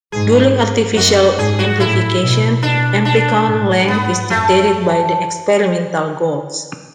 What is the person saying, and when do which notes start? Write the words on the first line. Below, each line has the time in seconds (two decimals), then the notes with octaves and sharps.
During artificial amplification, amplicon length is dictated by the experimental goals.
0.12 G#2 G#4
0.96 F#2 F#4
1.38 G#2 G#4
1.59 F#4
1.79 A2 E4
2.22 B2
2.62 B2 D4
3.05 B2 D4
3.46 A2
3.88 G#2 B3
4.30 F#2 A3